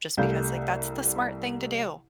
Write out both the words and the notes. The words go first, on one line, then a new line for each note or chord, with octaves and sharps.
just because, like, that's the smart thing to do,
C2 G3 A3 F5 G6